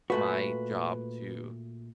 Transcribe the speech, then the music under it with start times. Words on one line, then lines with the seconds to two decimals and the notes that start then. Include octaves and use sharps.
my job to
0.10 A#2 A3 F#4 B4